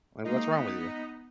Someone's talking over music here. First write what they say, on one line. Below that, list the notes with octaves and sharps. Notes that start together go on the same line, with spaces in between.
like, what's wrong with you?
G#3 A#3 D#4
B3